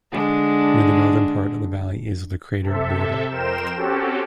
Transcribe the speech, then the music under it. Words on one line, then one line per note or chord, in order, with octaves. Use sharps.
Near the northern part of the valley is the crater Borda.
D3 G#3 D4
C3 A4 E5
F2 A#4 C5 G5 E7
C4 C#4 F#4 G4 A4